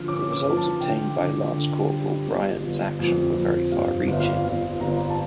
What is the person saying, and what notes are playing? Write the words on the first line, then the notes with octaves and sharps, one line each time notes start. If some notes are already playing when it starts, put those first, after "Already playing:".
The results obtained by Lance-Corporal Bryan's action were very far-reaching.
Already playing: D3 F3 F6
C#4 D6
D6
F3
A5
D3 G5
D3
D3
G3
G1
G1
F2
F2
G2 F5
G1 E5
F5
G1 F5
G1 A#5
A5